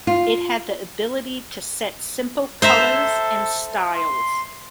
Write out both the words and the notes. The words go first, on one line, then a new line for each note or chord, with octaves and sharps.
It had the ability to set simple colours and styles.
F4
A4 C5 E5 A#5
C6